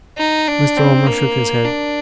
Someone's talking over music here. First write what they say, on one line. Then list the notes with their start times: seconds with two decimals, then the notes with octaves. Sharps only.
Mr. Omer shook his head.
0.18 D#4
0.48 D4
0.77 C4
1.07 A#3
1.64 D4